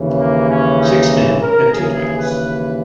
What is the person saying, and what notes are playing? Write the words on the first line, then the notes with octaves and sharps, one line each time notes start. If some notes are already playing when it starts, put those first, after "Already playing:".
Six men have two titles.
Already playing: D#2 C#3 E3
A#3
C#4
D#4
A#4
D#2 C#3 E3 G#4
B4